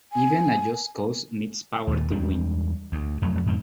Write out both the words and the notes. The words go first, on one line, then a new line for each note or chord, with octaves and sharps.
Even a just cause needs power to win.
G#5
D#2 A#2
E2 G3 G#3 D4
D2
F2 F#3 A3
F2 G#2 B2 D#3